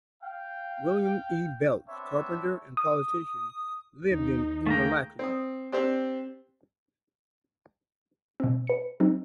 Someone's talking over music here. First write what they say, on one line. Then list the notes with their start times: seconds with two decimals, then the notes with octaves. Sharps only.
William E. Beltz, carpenter and politician, lived in Unalakleet.
0.23 F5 G5
1.87 B3 C4 D4 C#5 E5
2.77 D#6
4.10 D#2 D#4
4.66 A3 A#3 G#4 G5 A#5
5.19 C4 D#6
5.72 C4 D4 G4 C5 D5
8.40 B2 C4
8.67 B4 C#7
9.00 F#3 C4 D#4